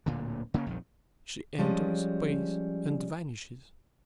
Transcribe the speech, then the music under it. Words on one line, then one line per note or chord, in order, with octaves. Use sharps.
She enters, pays, and vanishes.
D1 A#2 D3
C#3 A#3 C4 C#4
D#1 A#1 F2 D#3
F3 G3 G#3 C#4